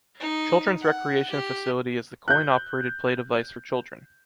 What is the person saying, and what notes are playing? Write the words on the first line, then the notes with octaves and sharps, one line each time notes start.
Children's recreation facility is the coin-operated play device for children.
D#4
F#5
G4
F#6 G6